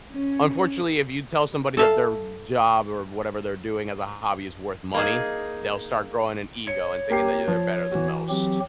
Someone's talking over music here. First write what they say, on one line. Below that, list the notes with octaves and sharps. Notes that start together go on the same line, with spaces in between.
unfortunately, if you tell somebody that their job or whatever they're doing as a hobby is worth money, they'll start growing an ego and thinking they're better than most.
C#4
A4 E5 F5
A#3 D#4 G#4
C#5 C#7
A#3 G4 C7
F3
E3 F#4
F#3 C4 G4